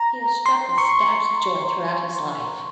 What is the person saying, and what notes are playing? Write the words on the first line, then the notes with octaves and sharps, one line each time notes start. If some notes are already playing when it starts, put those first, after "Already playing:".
He is struck with "stabs of joy" throughout his life.
Already playing: A#5
C6
C#6